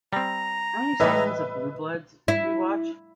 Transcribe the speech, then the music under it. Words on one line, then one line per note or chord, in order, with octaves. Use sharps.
How many seasons of Blue Bloods did we watched?
G3 C4 A#5
A2 E3 G3 B4 D#5 E5
E4